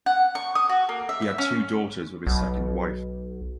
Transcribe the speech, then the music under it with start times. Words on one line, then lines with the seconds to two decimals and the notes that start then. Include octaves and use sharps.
He had two daughters with his second wife.
0.06 F#5
0.35 C#6
0.55 D#6
0.69 F#4
0.89 A#3
1.09 E5
1.22 E5
1.38 C#4
2.27 B1